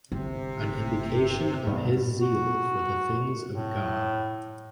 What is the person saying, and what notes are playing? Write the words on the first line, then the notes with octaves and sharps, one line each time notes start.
An indication of his zeal for the things of God.
G1 C3
G2 B2
F#4
A2